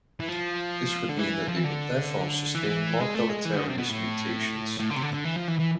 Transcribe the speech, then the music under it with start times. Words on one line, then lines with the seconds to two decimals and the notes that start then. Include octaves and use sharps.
This would mean that they would therefore sustain more deleterious mutations.
0.20 E3
0.29 F3
1.09 D3
1.19 E3
1.48 F3
1.56 E3
1.64 D3
2.55 E3
3.00 G#3
3.15 A3
3.29 G#3
3.45 E3
3.56 D3
3.68 C3
3.78 B2
3.89 A2
4.80 A2
4.91 D3
4.97 C3
5.03 D3
5.14 D3
5.25 E3
5.36 F3
5.48 E3
5.59 E3